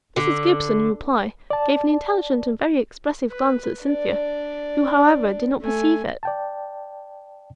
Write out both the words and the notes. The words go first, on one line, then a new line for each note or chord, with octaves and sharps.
Mrs. Gibson in reply gave an intelligent and very expressive glance at Cynthia, who however did not perceive it.
D3
D5 A5
B4
D4 D5
A3 G#5
D5 G5 A5